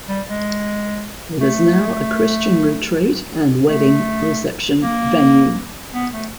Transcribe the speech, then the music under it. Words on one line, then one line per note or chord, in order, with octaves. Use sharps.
It is now a Christian retreat and wedding reception venue.
G3
G#3
A3
A3
A#3
B3
A3